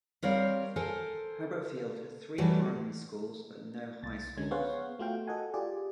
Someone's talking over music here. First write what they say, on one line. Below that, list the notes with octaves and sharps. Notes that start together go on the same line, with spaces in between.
Haberfield has three primary schools but no high schools.
G3 C4 A#4 C#5 F5
A4 A#4 C5 G#5
E3 F#3 G3 A3
C2 A6
D3 G#3 C#4 G#6
B3 G#4 C5 C#5 F5 F#5
A3 F4 F#4 F5 G5
F#4 A4 D#5 F#5 G#5
F4 G4 G#4 D5